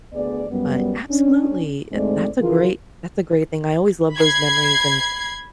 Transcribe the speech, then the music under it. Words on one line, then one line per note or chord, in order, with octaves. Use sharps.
But, absolutely, i that's a great that's a great thing, I always love those memories, and
D2 B3 G#4 D5
F#2 G3 B3
C#4 D4
D2 G#2 G#3 A3 C4 D5
C#3 E3 F3 F4 G#4 A#4
B5 G#6 C7